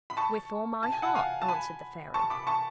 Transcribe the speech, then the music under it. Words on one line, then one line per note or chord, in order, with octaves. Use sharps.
"With all my heart," answered the fairy.
B5
A5 C#6
A5
G#5
F#5 A5
F5 G#5
A5
G#5 B5
A5 C#6
B5 D6
A5 C#6